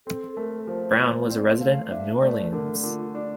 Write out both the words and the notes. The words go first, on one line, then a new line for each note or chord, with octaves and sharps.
Brown was a resident of New Orleans.
C4 A4
A4
A3 A#4
F3 C5
F4 C5
C4 D5
A3 F5
D4 E5
A3 D5
D3 A#4
D3 F4
D4 D5